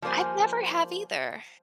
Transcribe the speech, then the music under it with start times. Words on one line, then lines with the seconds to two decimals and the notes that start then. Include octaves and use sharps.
I've never have either.
0.02 F3 G3 A#3 C5 G#5